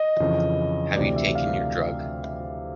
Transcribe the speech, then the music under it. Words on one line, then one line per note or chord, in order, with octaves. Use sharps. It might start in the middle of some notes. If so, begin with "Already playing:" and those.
Have you taken your drug?
Already playing: D#5
F2 C#3 E3
D2 C3 E3 D5
E5
F5